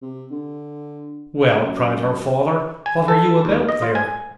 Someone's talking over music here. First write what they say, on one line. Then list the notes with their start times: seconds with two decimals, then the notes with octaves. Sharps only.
"Well!" cried her father, "what are you about there?"
0.02 C3
0.31 D3
1.63 F#2
2.86 G#5
3.08 A4
3.45 D#2
3.69 D#5
3.82 F4
3.95 G#5